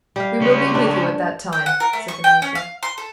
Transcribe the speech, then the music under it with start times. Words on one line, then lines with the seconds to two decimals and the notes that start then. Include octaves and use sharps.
"We will be with you at that time," said the major.
0.16 G3 F5
0.41 C#2 C#4
0.74 G2 D4
1.53 G5
1.66 F#5
1.80 A#4
1.93 A3
2.08 C#6
2.24 G5
2.42 C#4
2.55 F5
2.83 C6
2.98 A4